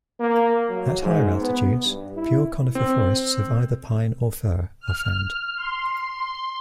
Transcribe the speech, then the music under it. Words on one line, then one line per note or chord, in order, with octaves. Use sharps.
At higher altitudes, pure conifer forests of either pine or fir are found.
A#3
F#3
G#2
B3
G2
E4
C4
F6
C6